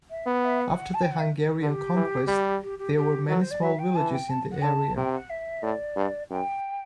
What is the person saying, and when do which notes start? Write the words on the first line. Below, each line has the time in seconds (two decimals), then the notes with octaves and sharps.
After the Hungarian Conquest, there were many small villages in the area.
0.10 E5
0.27 B3 F#5
0.44 E5
0.60 F#5
0.94 A5
1.03 G5
1.11 F#5
1.19 E5
1.61 D3 G4
1.94 E3
2.28 G3
2.62 G4
2.78 G4
2.95 G4
3.28 F#3 A4
3.39 C5
3.51 D5
3.62 F#3 E5
3.79 G5
3.95 E3 A5
4.12 G5
4.29 A5
4.51 F#5
4.63 D3 A5
4.96 C3 G5
5.13 F#5
5.29 E5
5.63 A2 D5
5.96 G2
6.30 F#2 G5